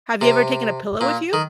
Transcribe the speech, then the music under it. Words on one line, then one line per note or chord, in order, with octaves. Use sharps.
Have you ever taken a pillow with you?
C3
A#2
D#3